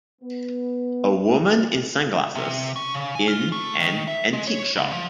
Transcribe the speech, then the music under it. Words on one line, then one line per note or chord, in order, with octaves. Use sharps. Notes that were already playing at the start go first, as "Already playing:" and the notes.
A woman in sunglasses in an antique shop.
B3
C3
C#4
C#3
G#5
F4
A3
D#3
E5
G#3
C#5
C#2
F3